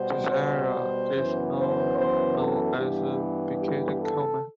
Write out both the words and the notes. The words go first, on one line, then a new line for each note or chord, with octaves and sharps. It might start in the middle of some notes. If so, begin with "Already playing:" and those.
This area is now known as Bukit Koman.
Already playing: B2 G3 B3 C5
C5
F#2 E3 B3
C5
C5
A4
G2 E3 B3 G4
G4
A4